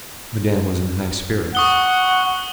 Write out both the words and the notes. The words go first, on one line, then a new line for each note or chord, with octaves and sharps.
Madame was in high spirits.
F#5 C#6 D#6 G7